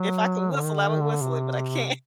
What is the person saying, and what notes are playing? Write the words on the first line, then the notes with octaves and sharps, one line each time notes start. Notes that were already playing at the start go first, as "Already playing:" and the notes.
If I could whistle, I would whistle it, but I can't.
Already playing: F#3
D3
D#3
D3
D#3
D3
C3